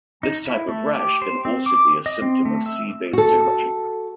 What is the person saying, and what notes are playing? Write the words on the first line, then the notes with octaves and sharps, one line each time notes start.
This type of rash can also be a symptom of Sea bather's eruption.
D#4
E4
A3
G4
C5
C4
D6
D#5
C4
A3
E5
F#4 A4